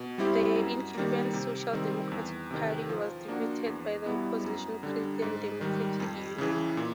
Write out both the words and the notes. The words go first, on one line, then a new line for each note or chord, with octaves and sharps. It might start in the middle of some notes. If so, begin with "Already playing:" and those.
The incumbent Social Democratic Party was defeated by the opposition Christian Democratic Union.
Already playing: B2
G3 C4 E4 G4
F#2
D#3 G3 A#3
C3
D#3 G3 C4
E2
C3 D#3
F3
A#3 D4 F#4
E2
B2 G3 B3 E4
F#2
D3 G3
G#2
D#3 G3
F2
C#3 E3
A#2